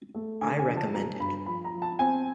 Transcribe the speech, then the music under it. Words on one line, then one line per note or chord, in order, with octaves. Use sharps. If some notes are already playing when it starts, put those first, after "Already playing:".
I recommend it.
A3
D3 G#5
G#5
F3
A5
F#3 A#5
G2 B5
F3 B5
A#5
F3
A5
C4 G#5